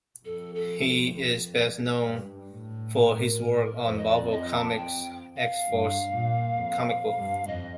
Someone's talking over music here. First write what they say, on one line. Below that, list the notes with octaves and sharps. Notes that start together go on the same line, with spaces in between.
He is best known for his work on Marvel Comics' "X-Force" comic book.
F2 A4
A4
G2
A2
A#4
F2 C5
D#5
D5
D#5
A5
G5
F5
G2
A#2
F2
G2
F2 D#5